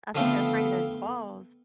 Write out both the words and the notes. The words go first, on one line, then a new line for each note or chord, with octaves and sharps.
I think they're afraid of those claws.
D3 F3 A3 B3 C4 F4